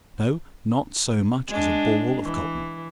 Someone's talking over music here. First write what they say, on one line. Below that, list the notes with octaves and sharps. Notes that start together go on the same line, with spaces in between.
No--not so much as a ball of cotton.
G#3 D4
E3